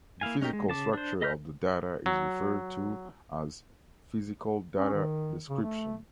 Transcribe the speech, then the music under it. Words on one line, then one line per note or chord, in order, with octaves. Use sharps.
The physical structure of the data is referred to as "physical data description".
A#3 E4 F5 G#5
G#3 C#4 D#4 G4 A#4
G#3
C#3 A5 D6
D4 C5
A4 D#5 B5 F6 G6
F#3
C#4
D#3
C#3
A3